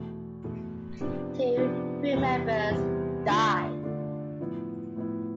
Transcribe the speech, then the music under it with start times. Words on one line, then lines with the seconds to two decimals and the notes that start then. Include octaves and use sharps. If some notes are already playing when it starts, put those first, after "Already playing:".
Two crewmembers died.
Already playing: E2 B2 A3
0.44 E2 B2 A3
1.01 C3 F3 B3 D4
1.57 C3 F3 B3 D4
2.14 E2 C3 G3 B3
2.70 E2 C3 G3 B3
3.26 D3 A3 D4 F4
3.83 D3 A3 D4 F4
4.40 A2 F3 B3 E4
4.96 A2 F3 B3 E4